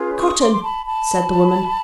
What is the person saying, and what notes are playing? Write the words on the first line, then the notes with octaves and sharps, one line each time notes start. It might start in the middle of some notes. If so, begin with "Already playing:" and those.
"Cotton," said the woman.
Already playing: C#4 F4 G#4 B4
C#6 D#6
C6 D6
C6
A5 B5
A5 B5